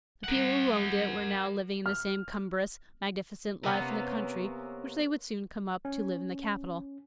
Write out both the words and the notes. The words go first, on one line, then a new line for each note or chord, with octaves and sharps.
The people who owned it were now living the same cumbrous, magnificent life in the country which they would soon come up to live in the capital.
A#4 F#5
F6
C3 A#3 B3 C#4
C#4